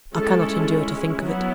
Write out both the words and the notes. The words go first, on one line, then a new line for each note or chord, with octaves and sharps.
I cannot endure to think of it.
G#3 C#4 E4 A4
F#3 B3 E4